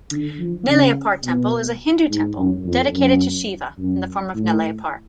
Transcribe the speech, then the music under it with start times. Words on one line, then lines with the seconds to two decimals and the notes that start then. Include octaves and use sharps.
Nellaiappar Temple is a Hindu temple dedicated to Shiva in the form of Nellaiappar.
0.11 D3
0.39 F3
0.67 C#3
1.24 B2
2.10 G#2
2.38 F#2
2.66 F2
2.94 F#2
3.78 F#2
4.35 A2